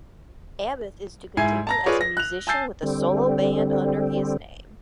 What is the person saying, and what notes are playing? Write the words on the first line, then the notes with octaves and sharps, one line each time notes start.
Abbath is to continue as a musician with a solo band under his name.
G#2 E4 G#5 G#6 C7
A5 A#5 A#6
F4 G#4 B4 C#5 D5
A#6
F#6 F7
G#5 A5 E6 G6 A6 C7
D3 G3 C4